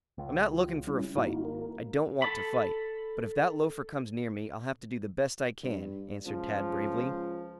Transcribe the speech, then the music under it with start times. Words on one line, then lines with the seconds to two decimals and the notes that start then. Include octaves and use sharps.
"I'm not looking for a fight--I don't want to fight, but if that loafer comes near me I'll have to do the best I can," answered Tad bravely.
0.18 C#2
0.52 F4
0.87 G3 C#4 E4
1.16 G#1 A#3 D#4 E4 F#4
1.45 A#4
2.22 A4 A5 B5
5.63 G2
6.26 C#2 F3